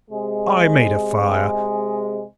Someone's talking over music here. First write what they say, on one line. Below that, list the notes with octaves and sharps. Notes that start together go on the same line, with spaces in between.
I made a fire.
C3 G#3